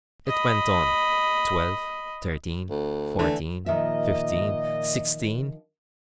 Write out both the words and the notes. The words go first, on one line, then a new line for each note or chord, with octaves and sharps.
It went on--Twelve, Thirteen, Fourteen, Fifteen, Sixteen!
D#5 B5
D2
D3 E3 A3
A#2 D#3 F3 D#5 E5